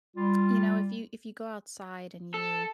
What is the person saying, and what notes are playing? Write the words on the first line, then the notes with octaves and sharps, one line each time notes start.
you know, if you if you go outside and you
G3 F4
A4